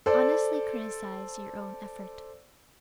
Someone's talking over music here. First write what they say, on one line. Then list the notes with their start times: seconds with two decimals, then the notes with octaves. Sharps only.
Honestly criticise your own effort.
0.06 A4 C5 D5